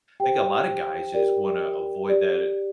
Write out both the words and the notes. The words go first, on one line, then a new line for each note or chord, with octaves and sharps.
I think a lotta guys just wanna avoid that a
G4 C5 G5
G4 A#4 D5
G4 D5